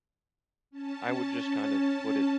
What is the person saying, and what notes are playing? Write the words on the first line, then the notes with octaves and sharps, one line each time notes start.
I would just kind of put it
C#4 A5